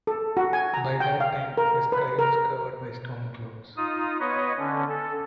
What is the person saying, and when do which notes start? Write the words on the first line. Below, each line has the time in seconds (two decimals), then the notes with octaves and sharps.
By that time, the sky was covered by storm clouds.
0.07 A4
0.37 F#4
0.53 G#5
0.74 A#5
1.00 G5
1.20 F5
1.58 A#4
1.92 B4
2.19 A#4
3.77 D#4 F4 D#6
4.20 B3 B4 C#5 D#5
4.58 D3 C#4
4.88 A4